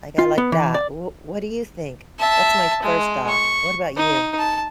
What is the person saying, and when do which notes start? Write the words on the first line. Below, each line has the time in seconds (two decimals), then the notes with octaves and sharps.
like, I like that. W what do you think? That's my first thought. What about you?
0.19 F4
0.38 B3
0.52 E3
0.75 D5
2.19 E5 A5
2.82 G#3
3.29 C#6
3.96 D#4
4.39 A5